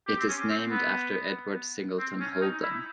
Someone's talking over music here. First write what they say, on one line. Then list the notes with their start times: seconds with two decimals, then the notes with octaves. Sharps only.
It is named after Edward Singleton Holden.
0.07 G4
0.19 C4
0.29 C#4
0.50 C4
0.71 B3
1.99 C4
2.20 C#4
2.41 D#4
2.63 E4